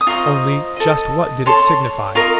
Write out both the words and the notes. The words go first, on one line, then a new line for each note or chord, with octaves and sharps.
Only--just what did it signify?
D#6
F4 C5 D#5 A#5 C#6
A4 D#5
A4 C#5 A5 C6
F4 A#4 D#5 A#5 C#6